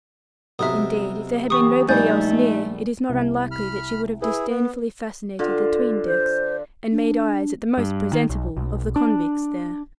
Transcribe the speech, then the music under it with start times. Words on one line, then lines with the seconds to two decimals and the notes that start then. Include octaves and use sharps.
Indeed, if there had been nobody else near, it is not unlikely that she would have disdainfully fascinated the 'tween-decks, and made eyes at the most presentable of the convicts there.
0.59 B1 C3 D#4 E5 D#6
1.50 E3 F#3 B3 G4 C#6 D#6
1.89 A#1 G3 A3 D#4 G#5 G6 A6
3.09 C2
3.51 B5 F6
4.22 E4 G#4 B4
4.49 B3
5.39 D3 F4
6.05 C5
6.91 D4
7.78 G2
8.13 D#3
8.30 B1
8.57 B1
8.96 D4